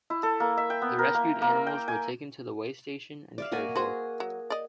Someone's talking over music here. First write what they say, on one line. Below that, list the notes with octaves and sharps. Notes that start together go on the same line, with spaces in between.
The rescued animals were taken to the Waystation and cared for.
E4
A4
A#3
E5
G5
B3
A#4
A#3
A#3
G5
G#5
D5 E5 F5
A#3 F#4 G#5
F#4 G#4 C5
F#3
D5 D#5